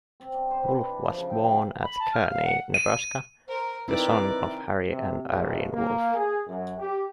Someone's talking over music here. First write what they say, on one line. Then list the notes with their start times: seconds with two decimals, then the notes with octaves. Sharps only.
Wolf was born at Kearney, Nebraska, the son of Harry and Irene Wolf.
0.20 C4
0.34 D4
0.51 C5
0.64 B4
0.77 D4
0.91 E3
1.05 F3
1.18 C#3
1.30 G5
1.44 G4
1.83 B5
1.99 A5
2.13 F6
2.30 F5
2.44 F#5
2.74 D#7
3.48 A#4 C5
3.88 C4 D#4 E4 A#4 B4 D5
4.89 C3
5.30 A#1
5.73 A#3
6.13 G#4
6.47 F#2
6.78 G4